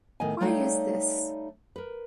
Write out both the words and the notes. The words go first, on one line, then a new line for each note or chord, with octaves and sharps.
Why is this?
A2 D#3 B3 D#5 G#5
G3 A3 D#4 C#5 F5 G5
A#4 B4